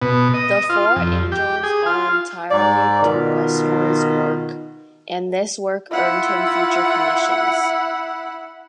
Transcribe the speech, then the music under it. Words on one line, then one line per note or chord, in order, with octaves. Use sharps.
The four angels are entirely Duquesnoy's work, and this work earned him future commissions.
B2
D#5
F4
F2
G4
G#4
F4
G#2 D5
B2 D#3 F4
E4 F4 F#5